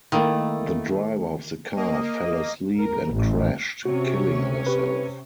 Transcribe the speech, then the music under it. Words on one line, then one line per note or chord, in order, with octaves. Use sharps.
The driver of the car fell asleep and crashed, killing herself.
D#3 A3 A#3 E4
A#3 D#5
A#4
A1
C3 C#4 F#4 C#5
G4 B4